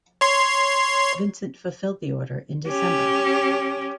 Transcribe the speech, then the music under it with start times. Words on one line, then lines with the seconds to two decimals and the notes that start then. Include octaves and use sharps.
Vincent fulfilled the order in December.
0.21 C#5 C6
2.68 C#4 G4